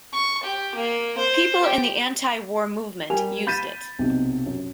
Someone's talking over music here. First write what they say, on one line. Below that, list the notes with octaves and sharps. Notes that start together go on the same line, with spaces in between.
People in the anti-war movement used it.
C#6
G4
A#3
C5
G4
G3 A#4 G#5 F7
B5 G6 A6 B6 D#7 E7
B1 C3
F#2